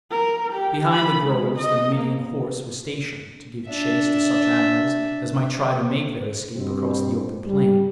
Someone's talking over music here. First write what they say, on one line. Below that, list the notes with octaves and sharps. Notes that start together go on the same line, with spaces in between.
Behind the groves the Numidian horse were stationed, to give chase to such animals as might try to make their escape across the open plain.
A#4
G4
B5
G#3
D#5
A#3
D4 E5
G2 B2 C4
G3